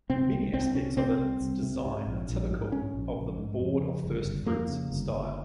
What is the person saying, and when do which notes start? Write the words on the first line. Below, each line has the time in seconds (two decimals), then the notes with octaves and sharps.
Many aspects of its design are typical of the Board of First Fruits style.
0.10 C3 C4
0.32 C2
0.53 C2 C4
0.75 C3 C#4
0.97 C3 C4
1.19 C2
1.41 C2
1.63 C3
1.85 G#2
2.07 A#1
2.29 A#1
2.50 G#2
2.72 G#2 C#4
2.94 A#1
3.16 A#1
3.38 G#2
3.59 F2
3.81 C#3
4.04 G1
4.25 G1
4.46 F2 A#3
4.69 C#3
4.91 G1
5.12 G1